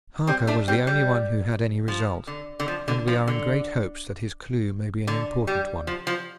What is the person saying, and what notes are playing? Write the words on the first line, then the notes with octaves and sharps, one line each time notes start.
Harker was the only one who had any result, and we are in great hopes that his clue may be an important one.
G3 C4
A3 D4
G3 C4
G3
F3
D3
D3
F3
D3
F3
D3
D3
G3
F3
F3